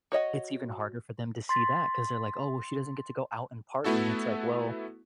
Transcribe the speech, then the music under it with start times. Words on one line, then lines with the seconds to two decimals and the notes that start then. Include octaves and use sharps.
it's even harder for them to see that 'cause they're like, "Oh, she doesn't get to go out and party." And it's like, "Well,
0.12 F#4 C#5 D#5 F#5
1.49 C6 A6 B6
3.84 A3 B3 E4 F#4 A4